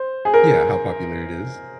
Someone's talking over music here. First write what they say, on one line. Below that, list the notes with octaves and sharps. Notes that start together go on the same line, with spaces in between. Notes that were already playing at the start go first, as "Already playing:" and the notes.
Yeah, how popular it is.
Already playing: C5
G#4
A#4